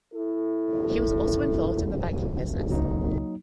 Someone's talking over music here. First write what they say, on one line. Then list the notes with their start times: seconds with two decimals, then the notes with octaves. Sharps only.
He was also involved in the banking business.
0.14 E4 A4
2.70 C#2 F#3 A#3 D#4